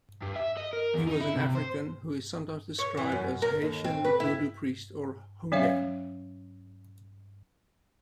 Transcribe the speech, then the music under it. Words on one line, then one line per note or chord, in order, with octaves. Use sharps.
He was an African who is sometimes described as Haitian vodou priest, or houngan.
G2
E5
D#5
A#4
E2
D#4
E4
C3
C5
C#5
E3
F#2
A#4
D#2
C4
B4
E4
F#3 C#4 C#5 E5 F5